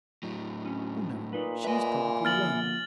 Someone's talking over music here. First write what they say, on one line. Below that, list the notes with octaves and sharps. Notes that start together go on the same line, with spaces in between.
"Oh, no; she is probably alone."
A2 F#3
C#4
A#2 D#4 B4
B4 D#5 E5 G#5
D3 F3 A#3 F6 A6 F#7